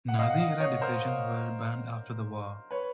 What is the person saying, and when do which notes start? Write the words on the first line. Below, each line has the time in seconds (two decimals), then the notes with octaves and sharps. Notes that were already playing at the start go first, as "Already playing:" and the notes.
Nazi era decorations were banned after the war.
0.08 F#5
0.19 D#5 F5
0.30 F#5
0.39 D#5 F5
0.60 C#5 D#5
0.81 A#4 C5
2.71 B4 C#5